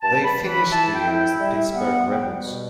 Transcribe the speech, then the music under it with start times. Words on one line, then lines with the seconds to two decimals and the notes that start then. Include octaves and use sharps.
They finished the year as the Pittsburgh Rebels.
0.02 G2 A5
0.24 B5
0.37 E3
0.48 B5
0.71 E4 A5
0.94 G5
1.06 E4
1.17 G5
1.40 G3 E5
1.74 B3 F#5
2.09 G3 G5
2.44 B2